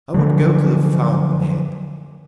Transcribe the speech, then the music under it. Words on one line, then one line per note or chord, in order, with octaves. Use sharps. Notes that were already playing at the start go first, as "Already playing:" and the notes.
I would go to the fountain-head.
D3 F3 F#3